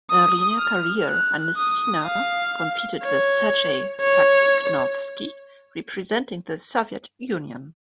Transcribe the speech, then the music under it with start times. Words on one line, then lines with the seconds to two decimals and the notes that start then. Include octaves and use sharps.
Early in her career, Anissina competed with Sergei Sakhnovski, representing the Soviet Union.
0.11 D#6
0.59 F6
1.08 F#6
1.57 D#6
2.06 F5
3.03 C#5
4.01 C#5